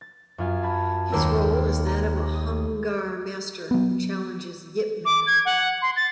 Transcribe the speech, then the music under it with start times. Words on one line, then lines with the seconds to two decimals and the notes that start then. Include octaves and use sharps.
His role is that of a Hung Gar master who challenges Yip Man.
0.01 A6
0.38 F#2 F4 G#5
0.62 A5 B5 G#6
1.12 D#2 G3 A#3 G4 A#4 E6
1.87 A#5
2.34 D#6
3.71 F#3 B3
5.05 D6
5.27 G#6
5.45 F#5
5.82 C6
5.97 A6